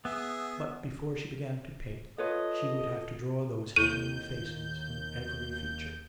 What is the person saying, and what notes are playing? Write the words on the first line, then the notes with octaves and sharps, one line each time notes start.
But before she began to paint she would have to draw those heavenly faces in every feature.
B3 G#4 E5
F4 A4 B4 C#5 D#5
D#2 E4 A4 G6 D#7